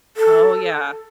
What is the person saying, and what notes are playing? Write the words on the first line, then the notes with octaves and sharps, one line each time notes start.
Oh, yeah.
A4